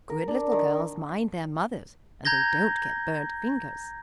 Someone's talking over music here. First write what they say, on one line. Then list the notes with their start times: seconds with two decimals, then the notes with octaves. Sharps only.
"Good little girls mind their mothers and they don't get burnt fingers."
0.10 A#4
0.28 D4
0.52 D#3
2.25 A#5 G6 G#6 A#6 G7